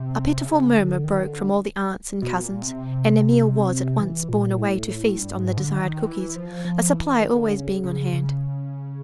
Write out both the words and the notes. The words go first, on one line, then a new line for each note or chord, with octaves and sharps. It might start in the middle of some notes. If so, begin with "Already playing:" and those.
A pitiful murmur broke from all the aunts and cousins, and Emil was at once borne away to feast on the desired cookies, a supply always being on hand.
Already playing: C3
C#3
D3
D#3
D3
B2
A#2
C3
E3
A#2
A2
A2
G2
G#2
D3
D#3
E3
F3
F3
E3
D#3
D3
C#3
C#3
C#3